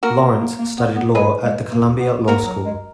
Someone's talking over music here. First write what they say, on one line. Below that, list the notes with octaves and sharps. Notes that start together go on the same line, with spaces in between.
Lawrence studied law at the Columbia Law School.
A#3 F#4 A#4
B3
A#3
A#3
B3
B3
G#3 G#4 B4
G#3
A#3
B3
A#3 F#4 A#4
F#3
G#3